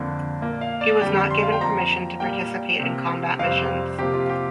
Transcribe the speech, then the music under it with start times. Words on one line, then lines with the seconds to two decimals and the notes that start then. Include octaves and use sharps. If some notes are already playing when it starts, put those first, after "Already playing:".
He was not given permission to participate in combat missions.
Already playing: F2 D3 A#3
0.41 A#2 A#3
0.61 F5
0.81 D5
1.01 F2 D3 G3 G5
1.30 C6
1.43 F5
1.52 G5
1.60 F2 F3 A#3 A#5
2.20 A#2 G3 A#3 G5
2.80 C3 A#3
3.39 F2 C3 G3 C4 F5
3.99 C3 F3 A#3 G4
4.14 F4
4.29 G4